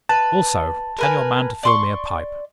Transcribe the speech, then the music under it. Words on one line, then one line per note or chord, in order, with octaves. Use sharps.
Also, tell your man to fill me a pipe.
B4 A5
A#4 B4 G#5
D5 C6 C#6